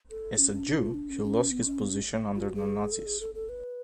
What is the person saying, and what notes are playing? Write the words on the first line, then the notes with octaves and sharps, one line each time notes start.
As a Jew, he lost his position under the Nazis.
A4
C#4
C#4
D4
F4
D4
C#4
C#4
B3
C#4
B3
C#4
F4
F#4
G#4
A4
G#4
A4
A4
B4